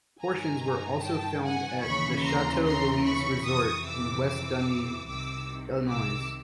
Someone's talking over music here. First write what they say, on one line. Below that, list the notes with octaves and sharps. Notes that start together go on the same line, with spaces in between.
Portions were also filmed at the Chateau Louise Resort in West Dundee, Illinois.
G2 D#3 G#5 A#5
G5 A5
F#5 G#5
D#2 C#3 E3 B5 C#6
A#5 C6
A#5 C6
B5 C#6
F2 C3 E3 C#6 D#6
D6 E6
D6 E6
C2 C3 D#3 D6 E6
D6 E6